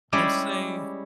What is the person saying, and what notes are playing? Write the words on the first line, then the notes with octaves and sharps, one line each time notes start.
And say
G3 G#3 C#4 E4 D5